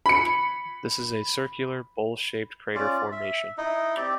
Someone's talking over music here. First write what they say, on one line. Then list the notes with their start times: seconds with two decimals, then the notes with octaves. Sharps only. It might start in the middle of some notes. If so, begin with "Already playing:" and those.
This is a circular, bowl-shaped crater formation.
0.06 B5 C#7
2.75 C#4 F4 D5
3.12 E5
3.58 D#4 E4 D#5
3.97 C4 G4 D5